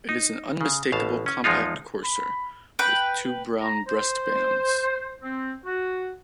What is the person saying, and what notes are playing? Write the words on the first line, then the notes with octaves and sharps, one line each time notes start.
It is an unmistakable compact courser, with two brown breast-bands.
D#4
C#3
A1 B2 F5 A5
C#4
E2 F3 G#3 D#4 F4
B5
B4 G5
A#5
C5
C4
F#4